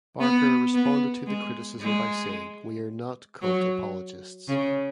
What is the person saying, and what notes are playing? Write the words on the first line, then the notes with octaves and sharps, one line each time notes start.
Barker responded to the criticism by saying, We are not cult apologists.
B3
B3
G#3
G#3
F#3
C#3